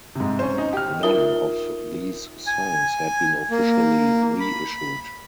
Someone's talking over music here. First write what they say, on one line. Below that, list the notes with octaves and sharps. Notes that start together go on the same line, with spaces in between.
None of these songs had been officially re-issued.
G#2 C3
C#4 C5
D#4
G4 F6
D#4 F4 A#4 E5 D#6 G7
G#5
A#3
B5